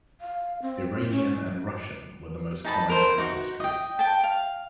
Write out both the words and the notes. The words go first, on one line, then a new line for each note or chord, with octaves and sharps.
Iranian and Russian were the most common ancestries.
F5
C4
C#4
D#4 A5 B5
A#4 C5
D#4 F#4
D#5 G5
G5 A5
F5